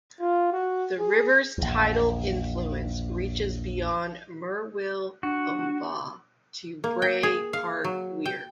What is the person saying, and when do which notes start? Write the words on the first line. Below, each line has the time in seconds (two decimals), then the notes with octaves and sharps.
The river's tidal influence reaches beyond Murwillumbah to Bray Park Weir.
0.20 F4
0.53 F#4
0.99 G#4
1.58 A#1 E2
5.23 D4 F#4
6.84 A#3
7.02 G5
7.23 G#4
7.53 F5
7.84 F#3
8.25 G5